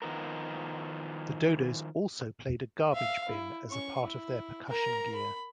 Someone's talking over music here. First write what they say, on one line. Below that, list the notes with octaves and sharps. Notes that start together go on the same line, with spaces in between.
The Dodos also played a garbage bin as a part of their percussion gear.
D#3 F3 B3 A#4
E5 F5
E4
C#4 C#6
E4
A#4 A#5
B5